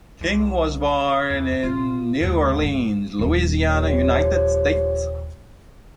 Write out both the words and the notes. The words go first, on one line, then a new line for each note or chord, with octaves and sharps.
King was born in New Orleans, Louisiana, United States.
C2
E2
A#2 B3 F4
D#2 G#2 D3
C#2 G2
D#1
F3 G4 C#5